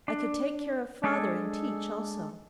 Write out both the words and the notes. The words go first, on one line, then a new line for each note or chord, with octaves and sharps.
I could take care of father and teach also.
D4
G#3 D4 G#4 A4